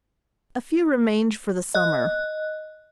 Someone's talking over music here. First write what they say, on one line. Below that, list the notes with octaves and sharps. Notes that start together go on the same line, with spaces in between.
A few remained for the summer.
D#5 F#6